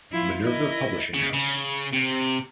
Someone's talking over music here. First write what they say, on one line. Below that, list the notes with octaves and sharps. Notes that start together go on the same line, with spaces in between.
Minerva Publishing House.
F3 E4 F4
E4 A#4 D#5
C#3
C#3
C3